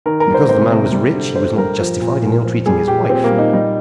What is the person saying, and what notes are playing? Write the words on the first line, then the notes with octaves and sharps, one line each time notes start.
Because the man was rich he was not justified in ill-treating his wife.
D#3 A#4
A#4
G3
C5
C3 C5
C3
G3
D3
D3 C5
G3 A#4
F3
A#2
A#2
F3
G3 G#4
A#2 G4
A#2 C4
A#3
G3
D#4
G3 D#4